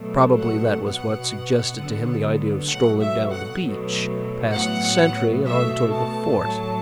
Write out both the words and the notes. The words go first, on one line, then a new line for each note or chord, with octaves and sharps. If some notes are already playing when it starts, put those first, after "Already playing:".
Probably that was what suggested to him the idea of strolling down the beach, past the sentry, and on toward the fort.
Already playing: B2 F#3 A3
F#5
B2 B3 F#5
D3 F#3 B3
B2 F#3 A3 F#5
E5
F#5
B2 F#3 A3
A2 F#3 B3 F#5
B2 A3 E5
A5
A2 F#3 A3